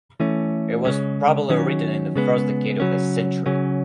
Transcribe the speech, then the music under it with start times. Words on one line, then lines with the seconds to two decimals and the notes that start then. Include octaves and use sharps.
It was probably written in the first decade of the century.
0.20 E3 A3 C#4
0.85 C#3 G#3 C#4
1.50 D#3 F#3 C#4
2.16 C#3 G#3 B3
2.80 C#3 F#3 C#4
3.46 C#3 F#3 C#4